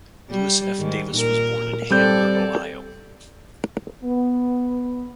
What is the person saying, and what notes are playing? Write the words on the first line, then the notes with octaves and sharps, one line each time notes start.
Louis F. Davis was born in Hamler, Ohio.
G3
G#2 D#3
A#2 A#4
G3 C4 A4 D5 G6
B3